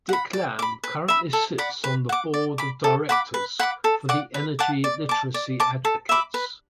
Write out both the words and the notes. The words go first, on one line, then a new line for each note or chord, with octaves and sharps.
Dick Lamm currently sits on the board of directors for the Energy Literacy Advocates.
F#5 B5
D5
B5 D6
B4
E5 B5
A4
D5 F#5 B5
B4
F#5 D6
D5
B5 D6
A4
F#5 B5 D6
B4
F#5 B5 D6
A4
D5 F#5 D6
B4
F#5 A5 D6
D5
A5 D6
D5
A5 D6
A4
E5 B5 D6
B4